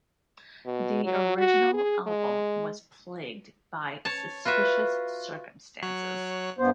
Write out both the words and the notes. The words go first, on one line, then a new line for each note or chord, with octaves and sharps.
The original album was plagued by suspicious circumstances.
B2
F#3
F#4
G#4
G#3
C#5 A5
F4 F#4 B4 E5
F#3 C#5 F#6
G2 B3 C5